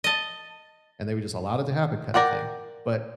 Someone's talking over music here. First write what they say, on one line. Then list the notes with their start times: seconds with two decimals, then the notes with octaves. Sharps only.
and they were just allowed it to happen kinda thing, but
0.04 D#5 A5
2.14 A#4 D5 F#5 G5